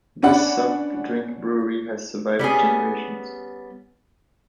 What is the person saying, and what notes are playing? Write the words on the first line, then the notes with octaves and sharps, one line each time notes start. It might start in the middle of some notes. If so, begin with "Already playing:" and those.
This soft drink brewery has survived generations.
C#4 D4 D5 F#5 B5
G3 B3 C#4 G#4